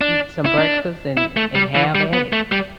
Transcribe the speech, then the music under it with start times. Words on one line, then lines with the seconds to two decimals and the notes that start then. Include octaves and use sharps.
eat some breakfast and and have at it.
0.01 D4
0.46 E4
0.58 D4
1.17 E4
1.37 A3
1.55 G3
1.76 E3
1.95 G3
2.13 B3
2.33 A3
2.52 G3